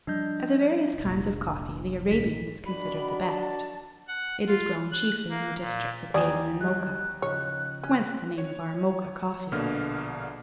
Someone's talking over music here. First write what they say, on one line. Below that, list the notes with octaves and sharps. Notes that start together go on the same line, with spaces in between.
Of the various kinds of coffee the Arabian is considered the best. It is grown chiefly in the districts of Aden and Mocha; whence the name of our Mocha coffee.
F3 G3 D4 D#5 G6
F1 C2 A#2
A#1 G#2 D3 B6
D#3 D4 F#4 B5
A5
F#5
F4
F#6
A#3
A#2
D#2 E3 D5 G#5 D#6
G3 D#5 F#6
C#3 F3 D#4 C#5
C#4
C#5
A#1 B2 D3 A#3 F6